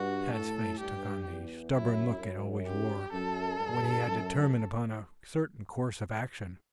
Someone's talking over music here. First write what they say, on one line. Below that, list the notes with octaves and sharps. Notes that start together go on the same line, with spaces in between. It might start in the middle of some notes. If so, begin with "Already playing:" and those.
Tad's face took on the stubborn look it always wore when he had determined upon a certain course of action.
Already playing: G2 F#4
A2 A4
G2 G4
E2
F#2 E4
F#2
G4
F#2 A4
G2
F#2